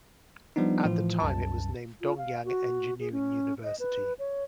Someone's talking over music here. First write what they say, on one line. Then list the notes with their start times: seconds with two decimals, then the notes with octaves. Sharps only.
At the time it was named Dongyang Engineering University.
0.56 F3 G3 B3 D4 D#4
0.85 A2 E3 F3 F4
1.20 C2 F#2 A5
2.01 F4
2.18 F5
2.45 F#4
3.00 G#4
3.12 C#4
3.63 D#5
3.79 B4
4.19 C#5